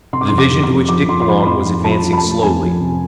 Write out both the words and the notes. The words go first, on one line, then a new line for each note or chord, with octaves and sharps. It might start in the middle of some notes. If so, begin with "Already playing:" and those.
The division to which Dick belonged was advancing slowly.
C3 C6
D6
F2 C6
D6
F2
D6
F2
F3 D6
F3 C6
C6
F3 B5
B5
F2 C6
F2 C6
F3 A5
B5
F3
B5
A5
A3
F2 G#5
F3
C3